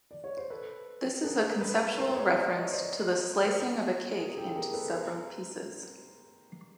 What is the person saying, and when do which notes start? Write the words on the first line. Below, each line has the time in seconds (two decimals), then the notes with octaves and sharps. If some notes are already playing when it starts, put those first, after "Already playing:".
This is a conceptual reference to the slicing of a cake into several pieces.
0.11 D5
0.24 C#5
0.37 C5
0.50 A4 B4
1.24 G#4 A#4
1.61 A4 B4
1.98 A#4 C5
2.09 C5
2.16 B4 C#5
2.34 C5 D5
2.53 C#5 D#5
2.72 C5 D5
3.45 A#4 C5
4.18 G#4 A#4
4.37 G4 A4
4.56 G#4 A#4
4.67 A#4
4.74 A4 B4
4.93 A#4 C5